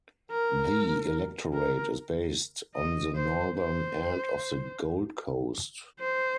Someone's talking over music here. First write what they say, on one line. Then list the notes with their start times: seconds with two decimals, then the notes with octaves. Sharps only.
The electorate is based on the northern end of the Gold Coast.
0.31 A#4
1.53 A#4
2.75 D#5
3.16 C5
3.56 C5
6.00 C5